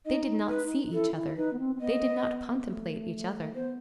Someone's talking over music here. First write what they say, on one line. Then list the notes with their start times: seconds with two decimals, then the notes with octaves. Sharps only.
They did not see each other, they did not contemplate each other.
0.06 D#4 D#5
0.49 B4
0.93 E4 A4
1.15 E4
1.36 D#4 B4
1.53 B3
1.59 C4
1.75 C4
1.81 B3 D#5
2.67 A3
3.55 B3 C5